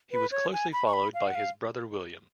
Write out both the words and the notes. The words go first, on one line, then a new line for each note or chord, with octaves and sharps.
He was closely followed by his brother William.
B4
C#5
G#5
B5
C#6
B5
F5
F#5
F5